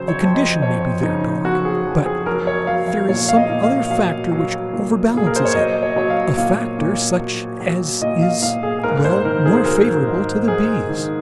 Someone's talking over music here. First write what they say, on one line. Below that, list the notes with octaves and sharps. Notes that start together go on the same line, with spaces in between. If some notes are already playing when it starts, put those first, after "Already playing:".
"The condition may be there, doc, but there is some other factor which overbalances it; a factor such as is--well, more favorable to the bees."
Already playing: F2 C#3 F#3 C5
C#5
F2
D#5
F2 C#5
C#3 D#4
F#3 F#4
G#4
F2
G#4
F#3 A#4
C#5
F#3 F5
F5
A#2 C#5
F5
D#5
A#2
F5
F#3 F5
F#3
A#2
A#2 G#4
A#4
C5
C#5
F#3 D#5
C#5
D#5
F#3 C#5
F5
A#2 F5
A#2
F#3
F#3
A#2 D#5
F5
A#2 F5
G#4
G#4
G#2 A#4
C5
D#3 A#4
G#4
C5
F#3 A#4
G#2
G#2 G#4
D#3